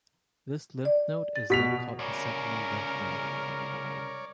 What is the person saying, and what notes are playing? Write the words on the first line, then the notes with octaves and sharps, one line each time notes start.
This lymph node is then called a sentinel lymph node.
D5
A6
B2 B6 F7
C2 C#3 A#4 C#5 D5